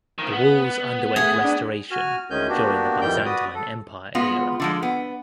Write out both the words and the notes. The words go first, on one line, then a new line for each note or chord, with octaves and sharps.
The walls underwent restoration during the Byzantine Empire era.
D#3 F3
B3
A3 G#4
D4
F#4 G#5 F6
D2 D#3 G#3 C#4 G#5 G6
A#3 B3 D4 F#4 G4
F2 D#3 E3 G3 G5 G6
F#4 B4 D5 D#6
A4
G#3 B3 F4 F#4
D3 F3 G#3
B3